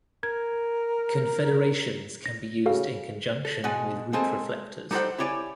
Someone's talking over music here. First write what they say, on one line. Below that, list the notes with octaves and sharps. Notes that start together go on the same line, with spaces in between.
Confederations can be used in conjunction with route reflectors.
A#4 G#6
A#6
C#3 F#4 A4 F5
A4
B2 G#3 F#5 G#5
G#3 A#3 C4 A4 G#5 A5
G3 D#4 G4 A4 C5 F#5
E4 G4 C#5 D5 G#5